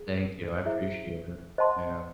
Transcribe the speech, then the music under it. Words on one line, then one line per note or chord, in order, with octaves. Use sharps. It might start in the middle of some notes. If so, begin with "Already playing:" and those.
Thank you, I appreciate it. Yeah.
Already playing: G#4
E4 G#4 C5 E5
C5 D#5 F#5 A5 C6